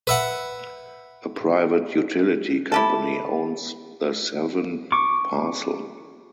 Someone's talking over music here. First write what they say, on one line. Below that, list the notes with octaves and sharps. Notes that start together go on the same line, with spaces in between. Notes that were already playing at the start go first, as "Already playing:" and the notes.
A private utility company owns the seventh parcel.
B4 E5 F#5
E4 G4 A4
C#6 D6